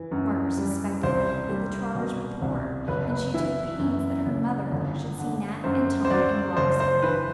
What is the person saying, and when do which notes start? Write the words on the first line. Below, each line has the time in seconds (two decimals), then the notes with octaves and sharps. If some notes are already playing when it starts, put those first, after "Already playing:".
Margaret suspected that the Trotters were poor, and she took pains that her mother should see Nat and Tom and Roxy.
Already playing: E3
0.11 F#2
0.57 G3
1.03 C2 C5
1.49 G3
1.95 B2
2.42 C2
2.88 F#1 B4
3.10 B4
3.34 E3 E4
3.79 F#2
4.26 F#1
4.72 G1
5.19 D3
5.64 F#2 C5
6.05 C5
6.10 F#3 D5
6.57 F#1 C5
6.80 C5
7.03 E3 B4